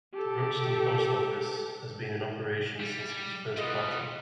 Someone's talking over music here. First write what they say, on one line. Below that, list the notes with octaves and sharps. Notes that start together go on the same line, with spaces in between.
The Brookston post office has been in operation since it was first platted.
G4 A4
G3
E3 G3 B3 F4 D#5